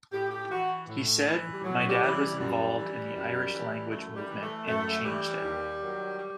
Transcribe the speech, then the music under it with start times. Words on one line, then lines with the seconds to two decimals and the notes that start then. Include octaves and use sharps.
He said, My dad was involved in the Irish language movement and changed it.
0.12 A2 G4
0.30 G4
0.50 E3 F#4
0.88 A2
1.26 E3
1.52 G3
1.63 A2 F#3
1.88 G3
2.02 E3
2.14 G3
2.39 F#2 G3
2.77 E3
3.15 F#2
3.53 E3
3.91 F#2 A3
4.16 G3
4.29 E3
4.41 A3
4.67 F#2 A3
5.04 E3 G3
5.43 D#2
5.81 D#3 F#3
6.19 G3